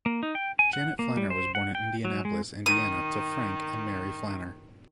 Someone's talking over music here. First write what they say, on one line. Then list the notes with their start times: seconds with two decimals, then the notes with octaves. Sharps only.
Janet Flanner was born in Indianapolis, Indiana to Frank and Mary Flanner.
0.06 A#3
0.23 D#4
0.35 G5
0.59 G#5
0.73 F#5
0.99 A#3
1.17 G3
1.30 C5
1.55 F#5
1.75 G5
2.05 F#3
2.25 G#3
2.66 D#3 D#6